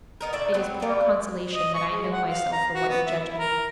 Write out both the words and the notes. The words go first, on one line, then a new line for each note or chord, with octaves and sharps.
'It is poor consolation that I know myself for what you judge me.
B3 D#4 A#4
A2 D5 E5
F#3 B3 C4
G3 B3
D#5
C#6
G#3
F#5
F5
A#5
F#4
B3
E5
E4
A#4